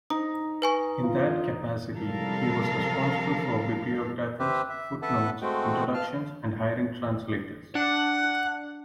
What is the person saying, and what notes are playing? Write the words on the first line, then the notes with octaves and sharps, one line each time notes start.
In that capacity, he was responsible for bibliographies, footnotes, introductions, and hiring translators.
D#4 D#6
B4 G#5 C#6
F4
C3 F3 G3 A4 A#4 F5
G4 B4 C5 E5
E5
A4 B4 E5 F#5 A5
G#3 A3 C4 F#4 G5
F5 A5 F6
D4 F#5 F#6